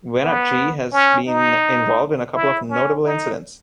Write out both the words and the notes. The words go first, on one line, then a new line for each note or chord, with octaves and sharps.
"Wenatchee" has been involved in a couple of notable incidents.
B3
C#4
D#4
E4
C#4
D#4